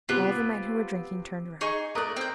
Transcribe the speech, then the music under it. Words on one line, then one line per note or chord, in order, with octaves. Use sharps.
All the men who were drinking turned round.
C3 B3 F4 F#6
D#4 G#4 C#6
A3 A#4 D5 D#6 F#6
C4 G5